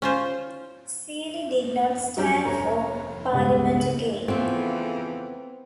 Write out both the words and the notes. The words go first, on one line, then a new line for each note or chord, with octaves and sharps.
Seely did not stand for Parliament again.
C#4 F4 C5
F#3 G3 G4
F1 C#5 A#5
C#2 G2 B2
F#7
F2 C#3 E3 A3 B3 C4 F4